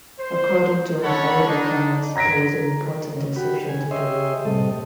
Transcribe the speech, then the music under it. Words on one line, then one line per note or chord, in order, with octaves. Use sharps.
According to an old account, there was an important exception to the rule.
C5
C#4 D4 A4 C#5 F#5 B5
D4 D#4
A#5 G#6 A#6 B6 D7
C#3
F#4 G4 B5
C#3 G#5
G4 G#4 C#5 D#5 E5 C6
A2 C3 G3 A4 D#5